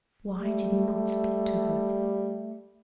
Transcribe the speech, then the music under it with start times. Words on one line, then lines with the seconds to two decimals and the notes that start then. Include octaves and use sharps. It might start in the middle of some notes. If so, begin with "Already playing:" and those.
Why did he not speak to her?
0.38 G3 A3